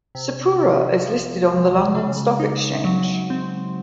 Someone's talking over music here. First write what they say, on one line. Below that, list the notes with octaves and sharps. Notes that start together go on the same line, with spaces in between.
Sepura is listed on the London Stock Exchange.
C3
C3
F3
G#3
C#3
D#4
F#3
C4